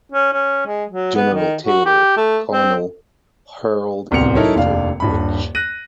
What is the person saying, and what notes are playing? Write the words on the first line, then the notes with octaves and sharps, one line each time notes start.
General Taylor, Colonel Harrold and Major Wich.
C#4
C#4
G#3
F#3
B3
D#3
F#4
G4
A3
C4
D1 C2 B3 C4 C#7 F7
D#4 E4 A4 A#4 C#5
F1 D#2 D4 F5
D#1 G2 B5
F#6 A#6 D#7